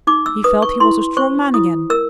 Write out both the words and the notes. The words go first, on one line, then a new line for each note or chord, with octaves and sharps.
He felt he was a strong man again.
D#4 D6
E6
B4 D#6
C#6
E4 C6
C5 C#6
E4 D#6
A#4 E6